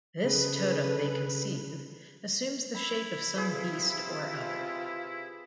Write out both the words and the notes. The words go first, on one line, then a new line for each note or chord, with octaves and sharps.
This totem they conceive assumes the shape of some beast or other.
C#3 G#4 A4 B4
E4 B5
C3 F4 G#4 B4